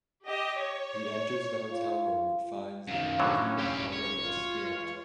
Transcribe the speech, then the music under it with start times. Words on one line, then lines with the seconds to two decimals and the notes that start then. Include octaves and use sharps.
He enters the hotel room but finds that everyone already escaped.
0.23 G4 D#5
0.58 C#5
1.72 F4
2.88 F#2 D#3 F5
3.20 A2 D3 F#3 C#4
3.59 F#1 G4 F5
3.92 C#5
4.23 F4
4.66 E2 E3 G#3